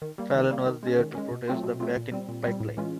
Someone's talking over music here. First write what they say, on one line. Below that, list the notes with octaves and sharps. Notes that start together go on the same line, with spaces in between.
Fallon was there to protest the Bakken pipeline.
D#3
G3 A#3
D#3
G3 A#3
D#3
G#3 C#4
D#3
G#3 C#4
B2
F#3 A3 C4 F4
B2
F#3 A3 C4 F4
A#2
G3 C4
A#2
G3 C4
A2
E3 G#3 C#4 F4